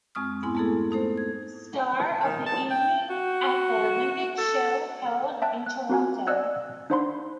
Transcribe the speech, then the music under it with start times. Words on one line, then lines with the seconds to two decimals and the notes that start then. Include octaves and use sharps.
Star of the evening at the Olympic Show held in Toronto.
0.15 F2 G#3 C4 C#6 D#6 F6
0.43 G#2 B3 E4 G#5 C6
0.55 G#3 A3 B3 E4 G#4 A4
0.91 A3 D#4 A4 C5
1.18 G#6
2.24 D#3
2.46 A5
2.70 G5
3.10 F#4
4.38 A4
5.42 E5 G5 A5 F#6
5.66 F#6
5.89 C4 F4 F#4 F#5 G#5
6.27 D5 D#5 F#5 E6 F#6 G#6
6.90 D4 D#4 C5 F#5 B5 C6